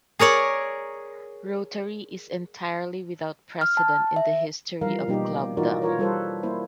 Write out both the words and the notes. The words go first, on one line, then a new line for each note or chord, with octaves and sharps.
Rotary is entirely without precedent in the history of clubdom.
G#4 A#4 C#5 D5
F6
A5
E5
E3 F3 G3 A#4 F5
B2 G3 A#3 D#4 G4
E3 D#4 F4 F#4 A#4 D5
F4 A#4 C#5
G3 F4 A4 B4 C5
A#3 E4 C5